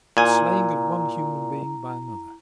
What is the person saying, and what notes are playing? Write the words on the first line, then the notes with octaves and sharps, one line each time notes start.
The slaying of one human being by another.
A#2 E4 G#5 A#5